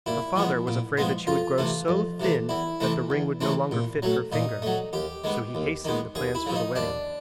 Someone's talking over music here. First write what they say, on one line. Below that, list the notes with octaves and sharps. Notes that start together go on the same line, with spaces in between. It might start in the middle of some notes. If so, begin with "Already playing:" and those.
Her father was afraid that she would grow so thin that the ring would no longer fit her finger, so he hastened the plans for the wedding.
A#2 E4
F3 G#3 B3
A#2
F3 G#3 B3
F2 F4
C3 E3 A3
F2
C3 E3 A3
E2 E4
C3 E3 A3 C4
E2
C3 E3 A3 C4
A#2
F#3 A3
A#2 D#4
F#3 A3
D#2 G4
D#3 G#3 B3
D#2
D#3 G#3 B3
D#2 G#4
E4
C#3 F3
D#4
D#2 D4